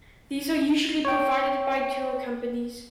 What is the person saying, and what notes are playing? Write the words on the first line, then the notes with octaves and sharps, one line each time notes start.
These are usually provided by tour companies.
C#5 G5